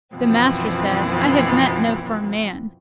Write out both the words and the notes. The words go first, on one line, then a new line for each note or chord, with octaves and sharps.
The Master said, I have met no firm man.
F#2 B2 E3 F3 C4